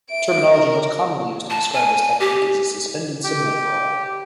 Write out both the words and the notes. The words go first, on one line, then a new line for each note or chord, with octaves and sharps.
The terminology most commonly used to describe this technique is a suspended cymbal roll.
E5 D7
A#4
A5
G#5
G4
G4